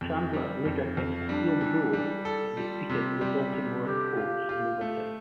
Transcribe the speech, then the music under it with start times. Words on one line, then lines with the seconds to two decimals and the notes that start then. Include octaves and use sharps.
Chandler later hit a field goal that defeated the Baltimore Colts in overtime.
0.01 F2
0.33 G3
0.65 F2
0.97 F2
1.29 G3 D4
1.61 E3
1.93 G3
2.25 A4
2.57 G3 F4
2.89 C3
3.21 G3
3.53 C3
3.85 D3 G4
4.17 F4
4.49 F4
4.81 A3